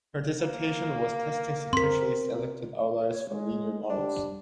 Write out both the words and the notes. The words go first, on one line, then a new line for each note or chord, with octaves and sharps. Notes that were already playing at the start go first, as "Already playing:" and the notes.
Her dissertation was "Testing Sequentially Selected Outliers from Linear Models".
A#3
C4 A#4 C6 B6
C#5
G#3
G3 D4